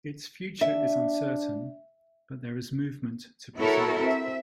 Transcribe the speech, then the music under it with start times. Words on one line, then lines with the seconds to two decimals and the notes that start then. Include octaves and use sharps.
Its future is uncertain, but there is movement to preserve it.
0.61 D4 E5
3.57 B3 E4 F#4 A4 A#4 C#5
4.00 C4 E5